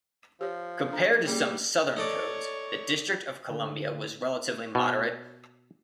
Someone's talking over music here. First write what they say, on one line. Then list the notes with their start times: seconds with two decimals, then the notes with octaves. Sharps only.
Compared to some southern codes, the District of Columbia was relatively moderate.
0.41 F3 G4 C#5
0.91 D4 A4 A#5
1.27 G3 A#3 C#4 G#4
1.97 D#4 A4 C#5 D5
3.50 D3
4.75 B2